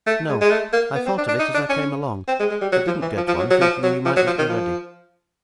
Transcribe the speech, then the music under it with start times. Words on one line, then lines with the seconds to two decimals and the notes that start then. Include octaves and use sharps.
'No; I thought of it as I came along; but didn't get one, thinking you mightn't be ready.
0.07 A3
0.29 G#3
0.41 G#3
0.51 A3
0.73 A#3
0.95 B3
1.06 C4
1.18 D4
1.28 D4
1.39 D#4
1.54 D4
1.69 C#4
2.28 C4
2.39 G#3
2.51 G#3
2.61 G3
2.72 F#3
2.87 F3
3.02 E3
3.17 F3
3.28 F3
3.39 F#3
3.50 F#3
3.61 F3
3.83 F#3
4.05 F3
4.16 F#3
4.27 F3
4.38 D#3
4.49 F3